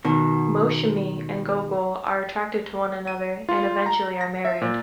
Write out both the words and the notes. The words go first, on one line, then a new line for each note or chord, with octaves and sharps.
Moushumi and Gogol are attracted to one another and eventually are married.
B2 D#3
D#7
F4
A#5
A#6
E5
A#2